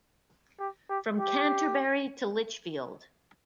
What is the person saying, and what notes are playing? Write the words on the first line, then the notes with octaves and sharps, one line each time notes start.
"From Canterbury to Lichfield".
G4
G4
G4